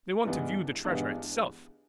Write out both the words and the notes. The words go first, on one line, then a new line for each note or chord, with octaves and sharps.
They want to view the treasure itself.
G2 E3 G#3 B3 D4
G2 E3 G#3 B3 D4